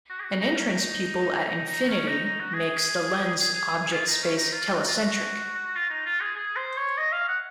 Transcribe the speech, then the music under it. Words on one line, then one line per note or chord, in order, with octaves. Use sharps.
An entrance pupil at infinity makes the lens object-space telecentric.
F#4
G#4
F#4
D#4
C#4
D#4
D#4
D#4
C#4
D#4
D#4
F#4
G#4
F4
D#4
C#4
D#4
F4
F#4
F4
F#4
F4
D#4
F4
G#4
G#4
C5
C#5
D#5
F5
F#5